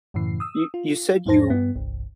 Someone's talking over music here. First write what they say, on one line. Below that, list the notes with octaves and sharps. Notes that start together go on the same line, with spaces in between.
You you said you
F#2 A2 C#3 E3 C7
D#6 E6
F4
E2 G#2 F3 C5 A5 A#6
G2 G3 B3
G1 C2 G2